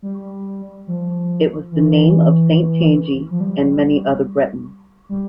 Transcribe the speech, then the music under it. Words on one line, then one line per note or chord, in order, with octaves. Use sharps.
It was the name of Saint Tangi and many other Bretons.
G3
F3
E3
F3
G3
G3